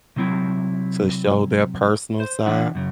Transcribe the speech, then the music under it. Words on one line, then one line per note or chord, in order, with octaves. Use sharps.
to show their personal side,
C3 F#3 C4 E4
C5
E3 D4 E4 F#5
F#2 C#3